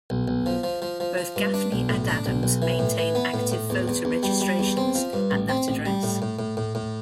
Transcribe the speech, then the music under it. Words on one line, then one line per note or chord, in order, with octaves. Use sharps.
Both Gaffney and Adams maintain active voter registrations at that address.
B1
B1
F3
F3
F3
F3
F3
G2
D4
B1
A2
D4
B1
B1
E3
A2
E3
B3
A2
A2
E2
E2
E2
G3
G3
E2
C4
F3
G2
A1
C4
A1
G3
A2
A2
A2
A2
A2